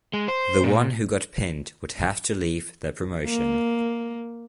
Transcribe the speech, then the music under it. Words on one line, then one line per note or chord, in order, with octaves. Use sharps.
The one who got pinned would have to leave the promotion.
G#3
C5
A#2
A#3